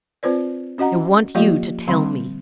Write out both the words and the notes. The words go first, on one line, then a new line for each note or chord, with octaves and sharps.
"I want you to tell me."
C4 F4 B4 C5 D5
C#4 F#4 D#5 F#5 A#5
F3 A#3 F4 G4 D#5 F5
D3 G3 C4 F5 B5 C6